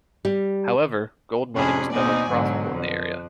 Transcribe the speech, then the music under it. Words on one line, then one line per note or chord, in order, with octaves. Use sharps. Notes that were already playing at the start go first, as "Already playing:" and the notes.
However, gold mining was never profitable in the area.
G3
F2 C3 C#4 D4 G#4 B5
D#2 B2 C4 D#4 D5 G#5
G#2 B2 D3 F#3
F2